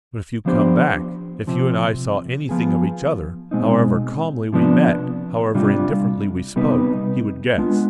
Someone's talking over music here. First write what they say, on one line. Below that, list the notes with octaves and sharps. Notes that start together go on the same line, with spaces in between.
But if you come back, if you and I saw anything of each other, however calmly we met, however indifferently we spoke, he would guess.
F3 B3 D4 G4 C5
C3 F3 C4
F3 B3 F4 G#4
B2 G#3 C4 D#4
C3 F3 B3 D4
C3 G3 D4 F4
C3 G3 B3 D#4 B4
G#3 B3 D4 F4